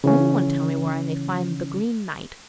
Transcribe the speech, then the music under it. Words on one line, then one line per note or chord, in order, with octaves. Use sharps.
'Can anyone tell me where I may find the Green Knight?'
C#3 E3 C#4